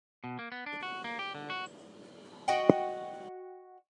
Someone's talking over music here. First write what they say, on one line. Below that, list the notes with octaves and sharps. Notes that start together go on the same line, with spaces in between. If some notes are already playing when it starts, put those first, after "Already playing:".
The Red Lodge cemetery contains a memorial.
B2
A#3
B3
D4
F#4
A#3
G4
D3
F#4
F#4 D#5 F#5 G5